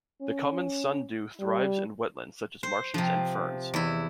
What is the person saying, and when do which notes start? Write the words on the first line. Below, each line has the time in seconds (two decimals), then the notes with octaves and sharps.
The common sundew thrives in wetlands such as marshes and fens.
0.22 C#4
1.40 G3
2.63 C5
2.94 C3 F3
3.74 E2 E4